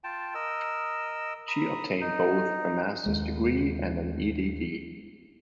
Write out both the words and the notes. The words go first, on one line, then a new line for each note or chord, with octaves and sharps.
She obtained both a master's degree and an Ed.D.
F4 G5 A5
A#4 D#5 E6
A#5 B5 D#6
D#4
D#2 G#3